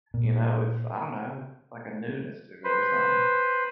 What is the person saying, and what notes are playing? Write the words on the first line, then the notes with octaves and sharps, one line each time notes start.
you know, it's, I don't know, like a newness to or something
A#2
B4 C5